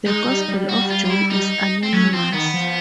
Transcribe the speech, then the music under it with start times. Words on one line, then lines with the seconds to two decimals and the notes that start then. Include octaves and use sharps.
The Gospel of John is anonymous.
0.06 G#3 D#4
0.27 G3
0.48 G3
0.69 F#4
0.90 F4
1.05 F4
1.09 E4
1.30 D#4
1.83 C4
1.93 F#3 C#4
2.13 F3 C4
2.33 D#3 B3
2.54 F3